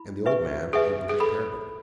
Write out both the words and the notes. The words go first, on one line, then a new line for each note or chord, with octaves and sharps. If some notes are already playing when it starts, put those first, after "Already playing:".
And the old man opened his Prayer-Book.
Already playing: E4 B5
B4 E5 G#5 C#6
G#4 B4 E5 G#5 C#6
G#4
A4 B5